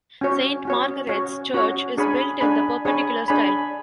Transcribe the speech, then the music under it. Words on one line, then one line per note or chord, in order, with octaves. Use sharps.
Saint Margaret's Church is built in the Perpendicular style.
C#4 F#4 C#5
C#4 F#4 C#5
C#4 F#4 C#5
C#4 F#4 C#5
D4 G#4 C#5 G#5 B5
D4 G#4 C#5 G#5 B5
D4 G#4 C#5 G#5 B5
D4 G#4 C#5 G#5 B5